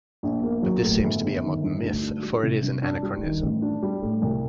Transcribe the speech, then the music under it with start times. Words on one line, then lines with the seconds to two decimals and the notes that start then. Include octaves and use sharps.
But this seems to be a modern myth, for it is an anachronism.
0.23 A#1
0.43 A#3
0.63 F#3
0.83 A2
1.03 G1
1.23 G1
1.42 D#3
1.63 G2
1.83 D2
2.03 D4
2.22 G3
2.43 C3
2.63 G2
2.82 D4
3.03 G3
3.23 D#3
3.43 A1
3.62 D4
3.82 G3
4.02 A2
4.22 C2